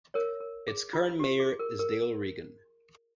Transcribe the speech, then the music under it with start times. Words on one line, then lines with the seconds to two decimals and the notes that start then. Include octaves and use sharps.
Its current mayor is Dale Reagan.
0.14 A#4 C#5
0.40 A#4
0.68 G#4
0.93 F4
1.20 G4
1.40 G#4
1.59 A#4
1.79 A#4